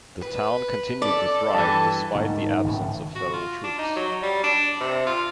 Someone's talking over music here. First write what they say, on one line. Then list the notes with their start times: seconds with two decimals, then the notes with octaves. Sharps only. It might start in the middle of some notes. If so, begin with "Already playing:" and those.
The town continued to thrive despite the absence of federal troops.
0.23 B4
1.02 A4 D5
1.54 G2 E3 A5
2.15 G#2 D#3
2.64 G#1 A2 C#3
3.15 F#4
3.33 F4
3.64 D4
3.78 D#4
3.96 F#3
4.23 G3
4.43 D4
4.80 C3
5.06 F4